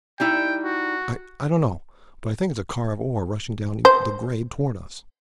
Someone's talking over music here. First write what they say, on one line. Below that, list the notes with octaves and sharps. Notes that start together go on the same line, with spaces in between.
"I--I don't know, but I think it's a car of ore rushing down the grade toward us."
G3 D#4 E4 G5
F#4
C5